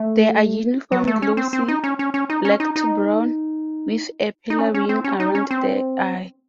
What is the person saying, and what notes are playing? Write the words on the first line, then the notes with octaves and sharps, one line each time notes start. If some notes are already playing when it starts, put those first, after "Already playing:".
They are uniform glossy black to brown, with a paler ring around the eye.
Already playing: A3
F#3
A3
C#4
C4
C4
D#4
C#4
C#4
C#4
D#4
C#4
D#4
D#4
D#4
C#4
C#4
C4
C#4
D#4
C#4
C4